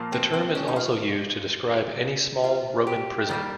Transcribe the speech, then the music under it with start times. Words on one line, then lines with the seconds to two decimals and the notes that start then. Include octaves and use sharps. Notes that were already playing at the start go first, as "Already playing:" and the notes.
The term is also used to describe any small Roman prison.
Already playing: A#2 F3 A#3
0.12 C4
0.33 C4
0.55 C#4
0.68 D#4
0.76 F4
2.44 F4
2.87 G4
3.28 D#3 G3 A#3